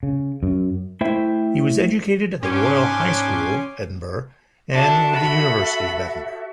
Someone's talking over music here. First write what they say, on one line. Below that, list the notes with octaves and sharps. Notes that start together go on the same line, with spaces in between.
He was educated at the Royal High School, Edinburgh, and the University of Edinburgh.
C#3
F#2
A3 E4 C5 E5 G5
G#2 B3 C#4 D4 G4 G#5 C6 D6
D4 F#4 A4 E5
B5